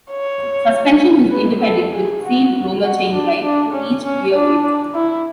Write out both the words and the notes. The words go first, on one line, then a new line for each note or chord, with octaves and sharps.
Suspension was independent with sealed roller chain drive to each rear wheel.
C#5
B4
A4
G#4
F#4
F#4
D4
D4
C#4
C#4
D4
E4